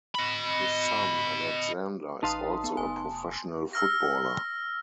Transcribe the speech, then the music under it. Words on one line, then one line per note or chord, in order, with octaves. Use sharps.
His son Alexander is also a professional footballer.
D#5 B5
A1 D#4 B4 F5 A5 C6 D#6
B3
F1 G#5
E6 F6 A#6